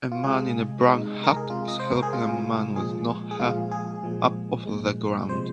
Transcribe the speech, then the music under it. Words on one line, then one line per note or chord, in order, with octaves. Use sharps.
A man in a brown hat is helping a man with no hair up off the ground.
F4
C3 G#3 G#4
C3 G#3 D#4
A#4
G#4
C3 G#3 F4
D#5
C5
A#4
G#4
C3 G#3 F4
A#2 F3 G#3 G#4
G#4
A#2 F3 G#3 F4
G#4
A#2 F3 G#3
A#2 F3 G#3
C3 F3 G#3 C5